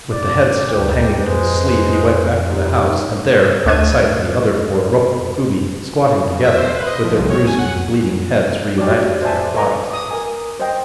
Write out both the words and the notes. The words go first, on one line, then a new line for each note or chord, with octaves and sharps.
With the head still hanging to his sleeve he went back to the house, and there caught sight of the other four Rokuro-Kubi squatting together, with their bruised and bleeding heads reunited to their bodies.
D5
D2 G4
F2 G#3 B4 C5
D#4 G4
D2 A2 A3 F#6 G#6 D#7
F#2
E5
C5
B4
D#5
F3
C2
C#5
G#5
F#5
F#4 G4 C#5 D5 D6
C5 D5 E5 G#5 A5
A4 B4 G#5 A#5
D6 D#6
A#4 G#5
C5 D#5 G5